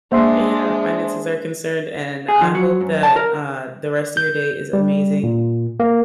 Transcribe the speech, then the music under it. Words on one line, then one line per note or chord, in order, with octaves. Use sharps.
Yeah, finances are concerned, and I hope that, uh, the rest of your day is amazing.
G#3 A#3 D4 C5 E5 C6
G#4
F3
F#3
F#2
A5
A#4
G6
G3
A#2
A#3